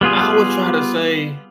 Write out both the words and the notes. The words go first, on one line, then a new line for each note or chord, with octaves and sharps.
I would try to say
G3 B3 F4 G#4